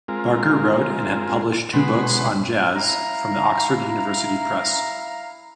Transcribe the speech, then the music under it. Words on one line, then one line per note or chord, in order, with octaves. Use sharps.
Barker wrote and had published two books on jazz from the Oxford University Press.
G#3 C4 F4 A#4
B2 G#3 F#5 B5 C6
E4 F5 A#5